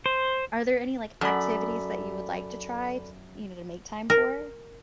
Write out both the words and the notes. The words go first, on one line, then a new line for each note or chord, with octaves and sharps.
Are there any, like, activities that you would like to try, t you know, to make time for?
C5
F#2 A4 D5 B5
A#4